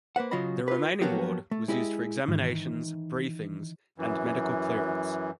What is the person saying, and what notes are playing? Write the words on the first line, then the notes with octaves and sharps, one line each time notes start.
The remaining ward was used for examinations, briefings and medical clearance.
A#3 B4 C5 F#5
C#3 F#3 F4 F#4 D#5 B5
F4 B4
F3 F#3 A#3 B3 F#4 G4
A3
G#3 E4 G4 G#4 D5 D#5
G#2 D#3 E3
F#2 E3